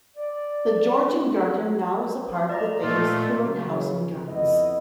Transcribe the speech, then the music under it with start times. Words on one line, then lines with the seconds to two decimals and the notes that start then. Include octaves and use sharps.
The Georgengarten now is a part of the famous Herrenhausen Gardens.
0.17 D5
2.50 D5 D#5 A#5
2.82 A#2 A3 F4
3.44 C#3 F#3
4.28 F2 B3 E4 D#5